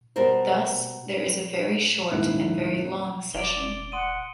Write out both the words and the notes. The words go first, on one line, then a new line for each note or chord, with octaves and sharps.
Thus, there is a very short and very long session.
B2 G3 A#4 C5
D#1 G#2 A#3 E4 F#6
F1 D5 D7 G7
F#5 C6 D#6 D#7